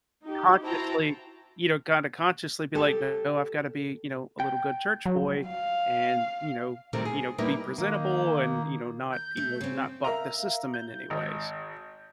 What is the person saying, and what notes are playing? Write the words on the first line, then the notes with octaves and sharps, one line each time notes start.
consciously, you know, kinda consciously be like, "No, I've gotta be, you know, a little good church boy, and, you know, you know, be presentable and, you know, not, you know, not buck the system in any ways."
D#4 G4
E4 F#4 C5 G5 A5 A#5
G4 A4
G5
F#3
F5
C3 D#3 F#3 G3 A3 C4
G#4
G3 A#3 D#4 E4 G4 B4
D#3 A#3 D#4
G6
A3
C#3 C4
A#4 E5 F5 A#5
G6
G#1